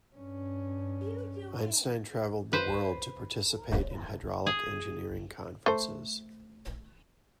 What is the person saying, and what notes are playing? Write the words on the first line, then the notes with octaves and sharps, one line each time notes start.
Einstein traveled the world to participate in hydraulic engineering conferences.
G2 C#4
B4 C5
G#4
A3 C5